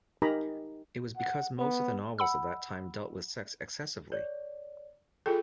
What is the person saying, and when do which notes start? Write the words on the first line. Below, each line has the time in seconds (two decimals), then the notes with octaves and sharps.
It was because most of the novels of that time dealt with sex excessively!
0.22 D#4 G4 A#4 G#5 A#5 B5
1.17 F#5
1.59 B3
2.18 F#5 B5 E6
4.12 C#5 D5
5.26 F4 G#4 A4 G5